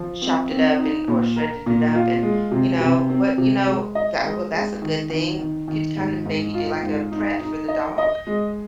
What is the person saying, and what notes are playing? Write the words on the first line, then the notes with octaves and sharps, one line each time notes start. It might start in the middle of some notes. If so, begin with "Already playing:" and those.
chopped it up and or shredded it up and you know, what you know that well, that's a good thing. You could kinda maybe do, like, a prep for the dog
Already playing: F3
C4
C4
D#4
A#2
A#4
A#2
F4
G#3
C3
C3
C4
C3
G#3
D#5
G#3
G#3
D#3
D#3
D#3
D#3
G#2
G#2
F4
G#2
D#4
D#4
D#5
D#5
G#3